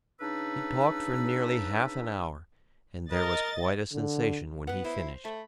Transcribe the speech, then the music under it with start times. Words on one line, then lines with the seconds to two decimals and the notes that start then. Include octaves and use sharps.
He talked for nearly half an hour, and there was quite a sensation when he finished.
0.21 C#3 D4 D#4 B4 E6
3.12 A#4 D#5 A6
3.93 D3
4.67 B3 B4 F#5
4.85 E4 C5
5.25 A3 B5